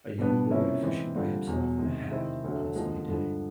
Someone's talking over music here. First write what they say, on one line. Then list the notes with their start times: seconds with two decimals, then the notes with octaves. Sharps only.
A young boy fishing by himself in a hat, on a sunny day.
0.18 B2 G3 B3 D4
0.50 C3 F3 A#3 C#4 E4
0.82 E3 G#3 C4
1.15 D3 G3 C4 F4
1.47 E2 B2 F#3
1.78 C3 D#3 G#3
2.11 C3 D#3 G#3 C4 E4
2.44 D2 D3 F#3 A3
2.75 D#2 D3 F3 G#3
3.08 G2 D3 F3 G#3